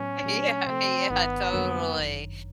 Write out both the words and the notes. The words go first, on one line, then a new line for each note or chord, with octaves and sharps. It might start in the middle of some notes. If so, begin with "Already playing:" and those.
Yeah, yeah, totally.
Already playing: A2 F#3 B3 C#4
A#2 F#3 A3 D4 G4
C3 F3 A3 C4
G1 G2 D#3 B3
F2 D3 F#3 A#3
G1 F#2 D#3